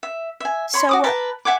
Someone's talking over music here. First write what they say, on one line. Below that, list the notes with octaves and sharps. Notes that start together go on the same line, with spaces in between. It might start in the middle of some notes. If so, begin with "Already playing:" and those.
So, uh
E5
E5 G#5
C#5 B5 C6
F#4 D6 D#6
A#4 B4 A5
E5 F#5 G#5 D6